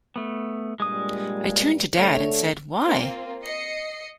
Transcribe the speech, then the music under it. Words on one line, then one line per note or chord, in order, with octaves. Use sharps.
I turned to Dad and said why?
A3 B3
G2 A#2 G3 G#3 D#6
D3 A3 C#5
A#3 C4 F4
D#5 C7 C#7